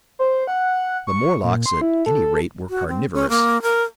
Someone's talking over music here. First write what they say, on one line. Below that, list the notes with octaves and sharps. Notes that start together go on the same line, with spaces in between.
The Morlocks at any rate were carnivorous!
C5
F#5
C#6
A#2
C6
E4
A4
F#4
C4
C#4
A#3
A#4